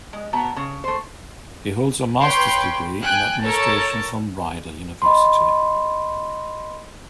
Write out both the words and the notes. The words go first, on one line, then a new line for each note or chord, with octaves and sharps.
He holds a master's degree in administration from Rider University.
G#3
B2 B3 A5 A#5
C#3
A3 C5
B4 C#5 G5 C6
G5 G#5 F#6
A4 A#4 C#5 A5
D#5 B5 C6